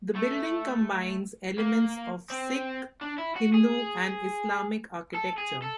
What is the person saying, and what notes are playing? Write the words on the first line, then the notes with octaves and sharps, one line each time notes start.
The building combines elements of Sikh, Hindu, and Islamic architecture.
A3
A#3
C4
D4
E4
F#4
G#4
A4
G#4
A4